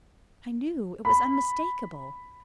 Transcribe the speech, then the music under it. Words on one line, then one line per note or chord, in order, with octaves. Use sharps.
I knew; it was unmistakable.
B5